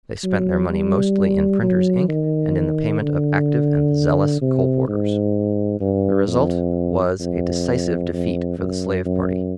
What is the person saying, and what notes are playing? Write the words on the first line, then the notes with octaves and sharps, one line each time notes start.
They spent their money mostly in printer's ink and in the payment of active and zealous colporteurs. The result was a decisive defeat for the slave party.
F#3
G3
F#3
D#3
D3
C3
G#2
G2
F2
F2
F2
F#2
F#2